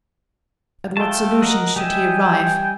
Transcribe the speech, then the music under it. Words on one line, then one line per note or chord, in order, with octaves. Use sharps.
At what solution should he arrive?
A3 F4 A4 G5 A5
A#4 D#5 F#5
G3 D#5 E5 G5 G#5